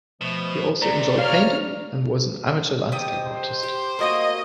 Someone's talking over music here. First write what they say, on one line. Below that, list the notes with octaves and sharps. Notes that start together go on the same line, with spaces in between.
He also enjoyed painting and was an amateur landscape artist.
B2 F3 A3
A3 C4 D5 A#5
C#5 F5 A#5 F6
C3 D#5 G5 D#6
C5
G4
A#3 F#4 A#4 D#5